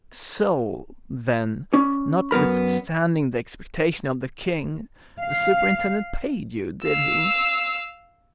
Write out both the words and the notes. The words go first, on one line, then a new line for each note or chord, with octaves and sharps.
"So, then, notwithstanding the expectation of the king, the superintendent paid you, did he?"
C#4 D5
F#2 B3 A#4 B5
F5
F5 E6